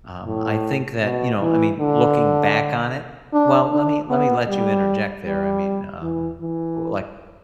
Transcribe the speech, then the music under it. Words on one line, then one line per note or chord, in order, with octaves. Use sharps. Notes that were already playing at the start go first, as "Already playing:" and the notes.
um, I think that, you know, I mean, looking back on it well, let me let me let you interject there. I mean, um, like,
A2
B2
E3
D3
D4
D4
B3
G3
G3
E3
E3